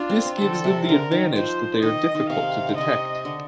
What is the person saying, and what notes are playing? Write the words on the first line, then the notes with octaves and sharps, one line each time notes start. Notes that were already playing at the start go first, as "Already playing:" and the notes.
This gives them the advantage that they are difficult to detect.
Already playing: D4 F4
C4
C4
D3 A4
C3
D3 A#4
D#3
F3 C5
D#3 D#5
D#3
C3 F5
D3
C3 D#5
D3